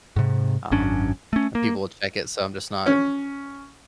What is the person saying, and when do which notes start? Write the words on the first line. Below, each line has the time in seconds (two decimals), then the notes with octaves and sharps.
um, and people would check it, so I'm just not
0.16 G#2 C3
0.71 G#1 F#2 C#4 D4
1.33 A3 C#4
1.55 A#3
2.86 C#4